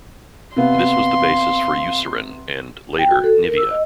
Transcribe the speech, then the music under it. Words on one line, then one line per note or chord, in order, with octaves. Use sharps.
This was the basis for Eucerin and, later, Nivea.
C3 B3 F5 C6
G5
F#4
A4
A#4
E6
D#5